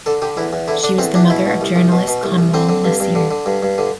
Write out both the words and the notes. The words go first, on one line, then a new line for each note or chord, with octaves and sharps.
She was the mother of journalist Kanwal Naseer.
D3 A4
D3 G4
E2 E4
E2
D3 E4
D3 D4
E2 C4
E2 D4
B2 E4
B2
C2
C2
B2
B2
C2
C2
D3 C4
D3
G2
G2
D3
D3
G2
G2
D3